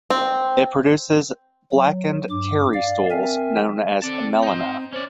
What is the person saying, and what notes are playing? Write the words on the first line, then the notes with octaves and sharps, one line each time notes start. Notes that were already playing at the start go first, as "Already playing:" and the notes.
It produces blackened, "tarry" stools known as melena.
C4
F#3
G2 D6
D5 F5
C4 A#4 E5 G#5
C4 A4 D5 A5
D#4 C5
C#4 C5 D5